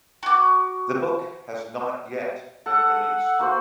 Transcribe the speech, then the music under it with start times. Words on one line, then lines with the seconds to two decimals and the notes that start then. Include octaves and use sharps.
The book has not yet been released.
0.23 F#4 D6
2.66 A4 F#5
3.39 A#3 F#4 C5